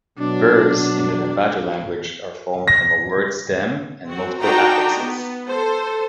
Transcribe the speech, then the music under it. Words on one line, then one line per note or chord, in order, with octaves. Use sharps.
Verbs in the Navajo language are formed from a word stem and multiple affixes.
B2 F#3 D4
A#6
C4 F#4
D4 D#4 F#4 G5 A#5
B3
A4 C5